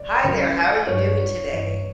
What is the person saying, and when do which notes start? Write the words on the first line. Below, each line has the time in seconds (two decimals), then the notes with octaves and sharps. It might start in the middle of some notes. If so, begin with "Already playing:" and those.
Hi there, how are you doing today?
Already playing: D5
0.24 C#2 C#3 F#3
0.87 G2 F#3 C#5
1.50 G2 E3